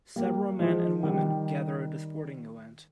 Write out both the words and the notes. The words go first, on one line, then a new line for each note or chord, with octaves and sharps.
Several men and women gather at a sporting event.
G3 A#3
F3 G#3
D#3 G3